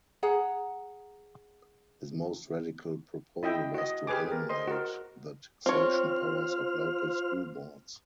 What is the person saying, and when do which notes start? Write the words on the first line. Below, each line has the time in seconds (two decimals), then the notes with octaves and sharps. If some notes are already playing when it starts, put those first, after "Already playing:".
His most radical proposal was to eliminate the taxation powers of local school boards.
0.23 G#4 F#5 A#5
3.43 E4 D#5 E5 G5
3.74 F#4 D#5
4.07 G4 G#4 B4 G#5 D6
4.32 A#4
4.49 C5 D#5 C6
4.68 F#4 A#4
5.66 C4 F4 C5 C#5 F6